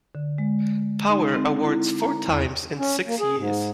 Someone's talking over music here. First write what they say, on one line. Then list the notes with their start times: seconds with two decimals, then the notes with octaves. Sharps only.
Power awards four times in six years.
0.15 D3
0.38 G#3
1.09 D#4
1.34 C4
1.63 E4
2.01 A#5
2.28 E2
2.78 C#4
3.07 A#3
3.20 G#4
3.37 G#2